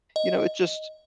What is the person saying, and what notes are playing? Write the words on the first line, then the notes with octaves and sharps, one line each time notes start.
you know, it just
D#5